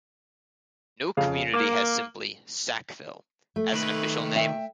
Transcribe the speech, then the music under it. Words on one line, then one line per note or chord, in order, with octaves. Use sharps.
No community has simply "Sackville" as an official name.
F2 C#3 F5
A#3 D6
A3
D#3 B4
E5 G5